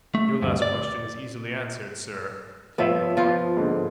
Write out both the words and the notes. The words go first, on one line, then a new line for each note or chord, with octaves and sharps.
"Your last question is easily answered, sir," Kane replied.
A3
D2 G2
D5
F3 B3 C5 C#5 E5
F3 B3 F4
G#2 D3